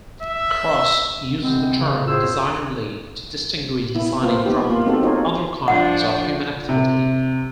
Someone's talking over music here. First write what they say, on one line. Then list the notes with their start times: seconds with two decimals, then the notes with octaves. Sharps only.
Cross uses the term 'designerly' to distinguish designing from other kinds of human activity.
0.23 E5
1.41 C3 G#3 B3 C4
1.78 C#3
2.06 F#2 A2 F4 G#4 C5 E6
3.95 B3 E4
4.23 A#3 F4 B4 C5
4.46 B3 D#4 G4
4.70 A#3 F4
4.86 B3 C4 D#4 F#4 G4 A4
5.03 D#4 F4 C#5
5.68 F3 D4 F#5
6.69 C3